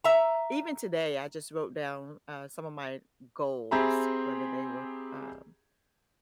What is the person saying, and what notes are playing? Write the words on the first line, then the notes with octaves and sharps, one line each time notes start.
even today, I just wrote down, uh, some of my goals, whether they were, um,
E5 A#5
C4 G4 G#4 E5 A#5 B5